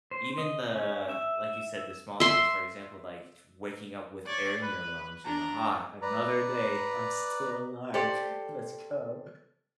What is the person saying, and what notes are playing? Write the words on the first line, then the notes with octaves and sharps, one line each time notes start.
even the like you said, the small things, for example, like, waking up with air in your lungs, you know? "Ah, another day, I'm still alive, let's go."
C5
D#5
C#4
E5
E5 C6
C#5 D5
B4
D4 A#5
B4 D5 A#5
G4 A4 C5 D5